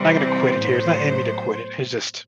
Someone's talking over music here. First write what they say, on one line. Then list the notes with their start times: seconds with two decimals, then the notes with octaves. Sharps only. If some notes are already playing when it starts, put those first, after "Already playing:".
I'm not gonna quit it here, it's not in me to quit it, it's just,
Already playing: C3 E3 G3 C4
0.18 C5
0.59 A2 F#3 B3